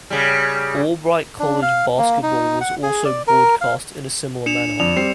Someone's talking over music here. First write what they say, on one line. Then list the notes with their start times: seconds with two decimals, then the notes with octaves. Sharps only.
Albright College basketball was also broadcast in a similar manner.
0.10 C#3 G3
1.39 D4
1.62 F5
1.98 A#3
2.23 D#4
2.61 F#5
2.83 G#4
3.05 D5
3.27 A#4
3.61 F5
4.46 D4 C#7 E7 F7
4.80 F2 D5 F7
4.96 G3 C4 C7